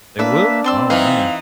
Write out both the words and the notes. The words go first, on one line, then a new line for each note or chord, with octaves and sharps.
They will? Oh man.
A#3 D4 B4 E5
C4 D5 C6 E6
E3 D#4 F5